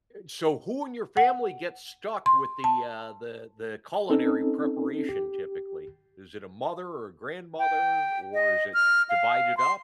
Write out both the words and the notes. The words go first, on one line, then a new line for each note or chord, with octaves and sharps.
So, who in your family gets stuck with the, uh, the the culinary preparation typically? Is it a mother or a grandmother or is it divided up?
F#5
C6
A5
C4 C#4 D#4 A4
G4
G5
D#5
F6
F5
C6